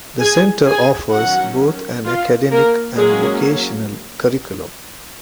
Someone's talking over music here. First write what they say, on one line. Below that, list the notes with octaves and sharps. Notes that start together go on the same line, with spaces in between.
The Center offers both an academic and vocational curriculum.
G#4 G#5
G#4 G#5
D#3 F#3 C#4 F#4 F#5
F4 F5
A#3 A#4
F#3 G#3 A#3 C#4 G#4